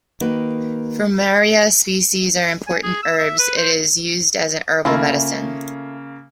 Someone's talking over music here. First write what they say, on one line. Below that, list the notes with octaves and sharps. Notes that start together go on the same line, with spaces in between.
Fumaria species are important herbs, it is used as a herbal medicine.
D#3 A#3 D#4 F#4 B4
G#5
G#4
E6
E5
B4
C5
C#3 A3 A#3 E4 F4